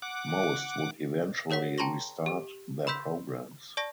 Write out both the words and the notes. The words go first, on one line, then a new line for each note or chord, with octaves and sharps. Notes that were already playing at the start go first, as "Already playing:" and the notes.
Most would eventually restart their programs.
F#5 D6
G#4 A#4 C#5 F#5 B6
G5 A5 A#5 C6 C#6 A#6
G4
B5 C6 E6 G6 B6
D5 A5 C#6 A#6